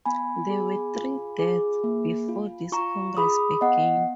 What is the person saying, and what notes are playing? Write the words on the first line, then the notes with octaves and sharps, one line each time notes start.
There were three deaths before this Congress began.
B3 G#5 B5
G#4
F4
G#4
A#3
F4
F4 A#5 C#6
G#4 B5 D#6
B3 D#5 F#5